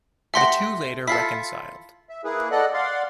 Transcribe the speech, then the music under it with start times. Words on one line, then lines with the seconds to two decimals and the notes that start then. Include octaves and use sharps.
The two later reconciled.
0.34 A3 G4 E5 F#5 C6 A#6
1.08 E4 F4 A4 B6 C7
2.09 E5
2.24 A#3 E4 G#4 B4
2.51 A4 D5 D#5 F#5 F#6
2.74 D5 F5 F#5 C6